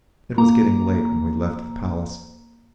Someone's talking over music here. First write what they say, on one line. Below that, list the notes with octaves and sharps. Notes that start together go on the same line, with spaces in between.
It was getting late when we left the Palace.
A#3 A#5